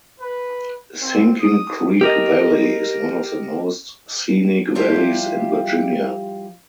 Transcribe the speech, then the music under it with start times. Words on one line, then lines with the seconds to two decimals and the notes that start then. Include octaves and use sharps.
Sinking Creek Valley is one of the most scenic valleys in Virginia.
0.20 B4
1.01 C4
1.40 D#6
2.01 G4 A#4 D#5
4.75 F3 G3 E4 F4 G4 E5